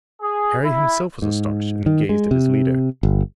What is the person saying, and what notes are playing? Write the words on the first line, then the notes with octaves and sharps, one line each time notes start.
Harry himself was astonished, and he gazed at his leader.
G#4
E4
G#2
D#3
G#3
C3
G1